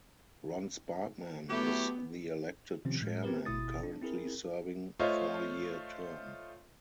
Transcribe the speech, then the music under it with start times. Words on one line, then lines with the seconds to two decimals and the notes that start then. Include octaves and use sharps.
Ron Sparkman is the elected chairman, currently serving a four-year term.
1.49 F#3 A3 B3 E4 G4
2.85 C3 D#3 F3 C4 C#4
3.01 A2 G#3
3.23 B3 C4 G4 A#4 B4
3.45 G1 B2 E4 D#6 A6
3.83 D4
4.02 C4 E4 G#4 A#4
4.99 A3 F4 C5 C#5 D#5